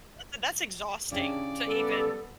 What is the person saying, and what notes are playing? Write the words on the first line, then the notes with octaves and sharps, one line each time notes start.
That's e that's exhausting to even
C#3 D4 E4 G4 D5
G3 B3 A4